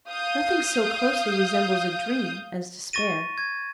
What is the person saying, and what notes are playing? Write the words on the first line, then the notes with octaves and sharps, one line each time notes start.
Nothing so closely resembles a dream as despair.
F5 D#6 G6
C#6 A6 A#6 D#7
G#6